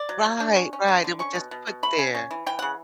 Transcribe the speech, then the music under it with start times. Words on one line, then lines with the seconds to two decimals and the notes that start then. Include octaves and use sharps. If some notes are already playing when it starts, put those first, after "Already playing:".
Right, right, it was just put there.
Already playing: D5
0.09 F#3
0.25 F#3
0.40 D4
0.56 C#4
0.73 C#4
0.88 D3
1.04 D3
1.19 C#4 C#6
1.35 B2
1.51 B2
1.67 B2
1.83 A3 B5
1.99 C#4
2.15 C#4
2.31 E3
2.46 E3 G5
2.59 C#3 F#5